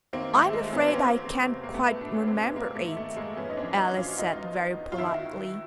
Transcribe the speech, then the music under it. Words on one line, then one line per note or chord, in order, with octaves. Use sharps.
'I'm afraid I can't quite remember it,' Alice said very politely.
D#3 A#3 C4
A3
D#2
G#3
D#2
B3 C#4
C#4
E2 A#3 C4
E2
C3
A#3
C#2 A3 B3
B2 D4
C#4
C#2 C4
B3
C3 G#3 A#3
A3
D#3
A3
F2
G#3 A#3
F3 B3 C#4
D#4
C4 D4
F3
C#4 D#4
F3
F4
F#4
E2 D#4 F4
F3
E2
F4
D#3 E4 F#4
D#3